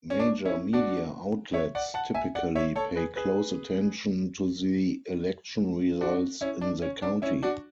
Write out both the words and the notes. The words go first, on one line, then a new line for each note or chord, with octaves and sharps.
Major media outlets typically pay close attention to the election results in the county.
C#4
D4
C#4 E4
D4 F#4
C#5 E5
D5 F#5
F#5 A5
E5 G#5
D5 F#5
C#5 E5
A4 C#5
G#4 B4
G#4 B4
D4 F#4
C#4 E4
D4
C#4
D4
C#4 E4
D4 F#4